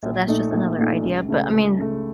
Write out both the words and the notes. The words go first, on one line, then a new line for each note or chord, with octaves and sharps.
So that's just another idea, but I mean
A#1
A#2 A3 D#4
A#1
A#2 A3 D#4
C#2
C#3 A3
C#2
C#3 A3